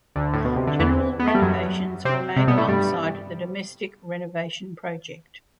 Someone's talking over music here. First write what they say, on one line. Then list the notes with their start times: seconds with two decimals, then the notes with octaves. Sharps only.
General renovations were made alongside the domestic renovation project.
0.16 D2 D3
0.33 A2
0.45 B2
0.56 C3
0.67 D3
0.79 E2 E3
1.20 B3
1.28 A3
1.35 G3
1.42 F#2 F#3
2.05 C3 C4
2.36 C3 C4
2.47 B2 B3
2.58 A2 A3
2.68 G2 G3